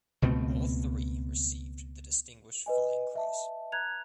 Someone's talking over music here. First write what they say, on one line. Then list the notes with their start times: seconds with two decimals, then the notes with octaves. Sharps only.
All three received the Distinguished Flying Cross.
0.22 C#2 B2 A3 C4
2.66 B4 D#5 G#5
3.13 D#5 E5 A5
3.72 A#5 F#6 G#6 F7